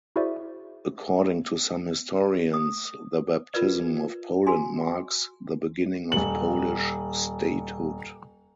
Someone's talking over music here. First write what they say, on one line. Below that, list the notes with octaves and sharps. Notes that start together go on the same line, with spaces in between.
According to some historians the baptism of Poland marks the beginning of Polish statehood.
E4 F#4 G#4 C5 D5 E5
D#6
F4 A#4 B4 D5
F#4 G#5 C6
D#1 F#7